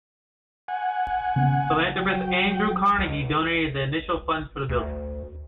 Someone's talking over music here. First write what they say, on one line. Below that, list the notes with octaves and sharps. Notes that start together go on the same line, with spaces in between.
Philanthropist Andrew Carnegie donated the initial funds for the building.
F#5 G#5
C#3 A#3 B3
F#3 G5
C#2
D2